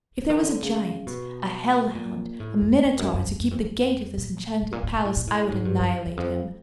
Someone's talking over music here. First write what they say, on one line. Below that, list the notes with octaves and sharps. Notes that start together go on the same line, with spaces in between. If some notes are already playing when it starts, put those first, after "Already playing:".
If there was a giant, a hell-hound, a minotaur, to keep the gate of this enchanted palace, I would annihilate him.
D3
D#3
D3
C#3
B2
A#2
A2
F2
F2
F#2
F#2
F#2
F#2
F2
F2
A#2
A2
A#2
A2
A#2
A2
A#2
A2
G#2
G2
F#2
E2
F2